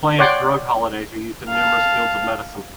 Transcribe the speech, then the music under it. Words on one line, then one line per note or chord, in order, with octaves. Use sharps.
Planned drug holidays are used in numerous fields of medicine.
C#5 D5 F#5 G5 C6
F5 A5